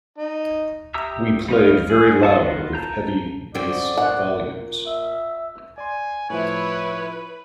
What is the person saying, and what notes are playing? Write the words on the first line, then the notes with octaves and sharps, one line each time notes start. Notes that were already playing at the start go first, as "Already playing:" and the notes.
We played very loud with heavy bass volumes.
D#4
G4 E5 A#5 D#6 E6
G3 A3 D#5 F5
G#4
A5 C#6 D#6
D#3 B3 F4
A5 A#5 G6
D3 C4 D5
A#2 F#5
E5
D5 G#5 C6
A2 F3 E4 B4 C#5